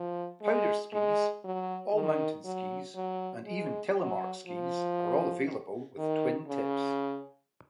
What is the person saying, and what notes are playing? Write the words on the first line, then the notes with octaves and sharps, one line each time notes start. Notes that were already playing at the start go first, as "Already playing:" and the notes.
Powder skis, all-mountain skis, and even telemark skis are all available with twin tips.
Already playing: F3
G#3
G#3
F#3
D#3
F#3
F#3
G#3
F#3
F3
D#3
C#3